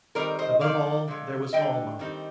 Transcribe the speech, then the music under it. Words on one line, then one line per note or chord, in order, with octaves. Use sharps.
Above all, there was Almah.
D#3 G3 C4 D#4 A#4 D5
C5 D#5
F3 A#3 D#4 D5 F5
D3 F3 G#3
D3 G3 D4 D#5 G5
D#3 G3 C4 D#4